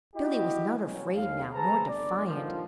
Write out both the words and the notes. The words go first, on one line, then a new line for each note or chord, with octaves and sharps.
Billy was not afraid now, nor defiant.
E4 F#4 G4 D#5
B2 F#3 C#4
D#2 F5
G#4 A4 B4 C5 A5 A#5
G1 D5
G2 A#2 D3 D#3 F3